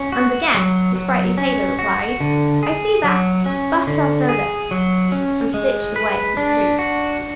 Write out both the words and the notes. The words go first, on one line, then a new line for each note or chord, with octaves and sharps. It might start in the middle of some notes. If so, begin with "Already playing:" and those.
And again the sprightly tailor replied: "I see that, but I'll sew this!" and stitched away at his trews.
Already playing: C#4
F#4
F#3
F#3
C#4
F#4
D3
G#4
F#3
C#4
D3
G#4
F#3
C#4
G#3
B4
D4
F#4